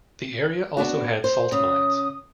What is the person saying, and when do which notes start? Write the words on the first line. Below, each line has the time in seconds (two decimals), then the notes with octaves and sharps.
The area also had salt mines.
0.77 B3 D4 F#4
1.24 C5
1.52 C#3 D#6